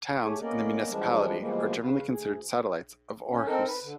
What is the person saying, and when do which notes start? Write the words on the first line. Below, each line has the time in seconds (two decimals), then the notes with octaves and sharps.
Towns in the municipality are generally considered satellites of Aarhus.
0.25 A3 G4 G#4 C#5
0.41 A#3 B3 C#4 A#4 D5 D#5
0.90 E3 F3 G3 G#3 D4
1.40 B2 E3 F3 G3 G#3 A#3
1.82 C#3 B4 F5
2.10 D2 G#4
3.29 C#4
3.46 C4 D#4 A4 A#4
3.65 B4
3.82 D3